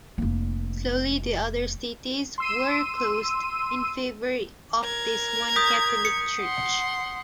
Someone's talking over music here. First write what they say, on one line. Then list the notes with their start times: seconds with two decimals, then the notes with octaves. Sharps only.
Slowly the other staties were closed in favor of this one Catholic church.
0.18 F1 A#3
2.38 C6 E6 D#7
4.81 A#4 G#6
5.56 D#6 G6 B6
6.05 C#7
6.41 F#5 C6